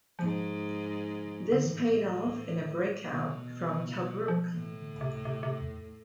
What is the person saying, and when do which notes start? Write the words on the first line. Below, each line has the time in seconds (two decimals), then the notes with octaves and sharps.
This paid off in the breakout from Tobruk.
0.19 G#2 F3
1.41 C3
1.52 D3
1.64 A2 E3
3.08 B2
3.81 D3
4.04 F3
4.28 F3
4.53 A2 E3
4.77 D3
5.01 C3
5.25 C3
5.43 C3
5.62 E2